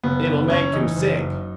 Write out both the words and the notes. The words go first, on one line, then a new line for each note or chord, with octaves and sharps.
"It'll make him sick."
F#1 B3
F#1
F#1 C#4
E3 D#4
F#1
F#2